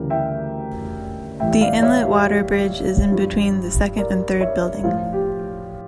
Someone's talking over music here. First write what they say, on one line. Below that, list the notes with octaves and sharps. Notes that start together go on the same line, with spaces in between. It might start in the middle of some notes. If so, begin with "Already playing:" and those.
The inlet water bridge is in between the second and third building.
Already playing: D2 C#3 E3 G3 G4 A#4
E5 G5
A2 E3 G3 E5 G5
E5
D5 F5
C#5 E5
G4
G4
G2 F3
A#4 D5
C#5 E5
A2 F3 F4
G4